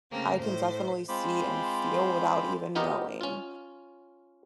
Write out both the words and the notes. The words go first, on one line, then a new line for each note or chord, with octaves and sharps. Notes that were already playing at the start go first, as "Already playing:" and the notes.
I can definitely see and feel without even knowing,
C#3 A3 A#3 C4
A2 C5
G#3 C4 F4 C5 B5 D6
B3 D#4 F4 G4 A#4 D#5
C#4 F4